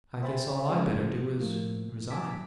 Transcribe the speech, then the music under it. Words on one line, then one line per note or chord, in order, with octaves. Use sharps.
"I guess all I better do is--resign!"
C5 E5 G5 G#5 B5 A6
C#3 E3 F3 G#3
A2 F3 A#3
G#5 A5 D6 E6 B6